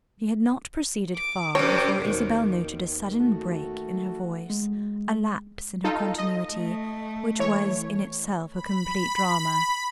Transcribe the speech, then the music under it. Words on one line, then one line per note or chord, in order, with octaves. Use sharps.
She had not proceeded far before Isabel noted a sudden break in her voice, a lapse in her continuity, which was in itself a complete drama.
D6
F#2 C3 C5 C#5 D6
D#2 B2 D#3 C#6
A3 F#4
G#3
D#4 F4 A4
D#5
A3
E3 C#5
B5